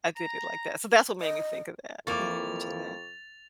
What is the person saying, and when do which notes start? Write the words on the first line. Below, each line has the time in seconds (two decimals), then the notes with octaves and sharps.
I did it like that. So that's what made me think of that when you mentioned that.
0.17 A#5
1.21 D#5
2.07 F2 E3 A#3 C#6 D6 A6 F7